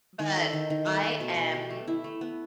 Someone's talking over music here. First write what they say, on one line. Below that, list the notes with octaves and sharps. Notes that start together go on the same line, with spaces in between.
But I am
D#3
A4
D#3
D#3
A3
A3
B2
B2
G4
A3
E4
A3
B3